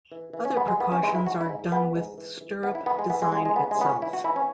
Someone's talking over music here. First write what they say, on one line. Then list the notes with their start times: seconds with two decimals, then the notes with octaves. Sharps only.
Other precautions are done with stirrup design itself.
0.12 E3
0.33 E3
0.45 C#4
0.57 G#2 B3
0.68 G#3
0.80 E3 B3
0.92 C#4
1.03 E3 G#3
1.15 E4
1.25 G#2 F#4
1.41 E4
1.49 G#2
1.72 E3 B3
1.95 G#2
2.18 E3
2.41 E3
2.63 E3 B3
2.75 E4
2.86 E3 B3
2.99 G#3
3.10 E3 B3
3.22 G#3
3.32 C#2 G#3
3.45 G#3
3.56 C#3 B3
3.71 G#3
3.79 C#2 B3
3.86 C#4
4.02 E3 E4
4.13 F#4
4.24 E3 E4
4.36 C#4